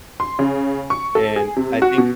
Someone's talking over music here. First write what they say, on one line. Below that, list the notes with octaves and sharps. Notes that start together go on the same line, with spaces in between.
and I think
C6
C#3
C#6
A4
G#4
C3
F#4
B2